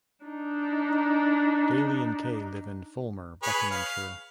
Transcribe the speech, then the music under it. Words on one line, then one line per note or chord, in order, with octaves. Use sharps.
Daly and Kay live in Fulmer, Buckinghamshire.
D4 D#4
G#4 B4 C#5
F5